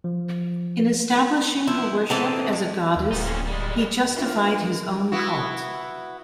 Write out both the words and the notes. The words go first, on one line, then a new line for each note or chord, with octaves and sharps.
In establishing her worship as a goddess he justified his own cult.
F3
F3 E4
A#2 E3 B3 C4 A4 D#5
G#3
D#2
D1 A#2 B3 D#4
A#3 C4 C#4
G3 G#3
E3 D4 F4 A#4
B3 E4 F#4